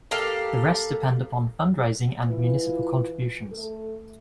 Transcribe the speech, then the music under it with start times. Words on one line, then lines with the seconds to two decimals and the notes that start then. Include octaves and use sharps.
The rest depend upon fundraising and municipal contributions.
0.11 A#3 G4 A4 F5
2.27 E3 F4 B4
3.52 A3 A4